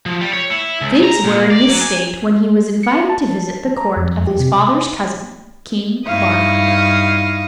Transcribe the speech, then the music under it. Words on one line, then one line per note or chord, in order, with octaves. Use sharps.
Things were in this state when he was invited to visit the court of his father's cousin, King Bardondon.
F3
G3
C#5
E4
C#2
A#5
A#2
D5
F#3
G#5
C#7
A5
A#5
F2
G4
C3
G2 D#4 E4 F5 C#6 D#6